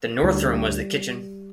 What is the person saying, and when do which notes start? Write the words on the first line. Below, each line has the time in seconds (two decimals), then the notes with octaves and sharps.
The North room was the kitchen.
0.23 D2 D3 G3